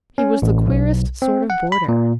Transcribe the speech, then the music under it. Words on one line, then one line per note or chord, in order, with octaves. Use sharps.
He was the queerest sort of boarder!
C#4
A1
B1
C4
F#5
B5
A#2